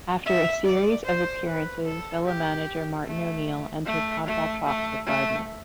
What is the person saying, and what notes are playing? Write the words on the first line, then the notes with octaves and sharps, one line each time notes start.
After a series of appearances Villa Manager Martin O'Neill entered contract talks with Gardner.
E5
D5
C5
B4
A4
G4
A3
A3
A3
A3
A3